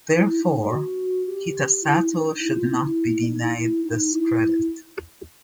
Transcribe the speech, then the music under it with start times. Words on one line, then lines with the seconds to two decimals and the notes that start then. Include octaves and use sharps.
Therefore, Kitasato "should not be denied this credit".
0.11 E4
0.25 E4
0.40 D#4
0.68 F#4
1.25 G4
1.82 E4
2.11 D#4
2.25 D#4
2.39 E4
2.54 F4
2.68 E4
2.82 E4
3.25 D#4
3.39 E4
3.53 E4
3.82 D#4
4.11 E4